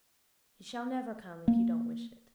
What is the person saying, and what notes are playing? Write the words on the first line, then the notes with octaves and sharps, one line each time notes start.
He shall never come, if you don't wish it.'
A#3